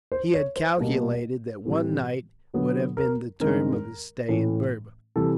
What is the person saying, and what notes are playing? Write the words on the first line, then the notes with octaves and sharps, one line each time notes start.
He had calculated that one night would have been the term of his stay in Berber.
C5
C#5
C5
B2 G3 A#3
A2 E3 G3 C4
D3 F#3 B3
A#4
G2 D#3 G#3 C4 A#4
A2 E3 A3 C#4
C3 E3 G3 A4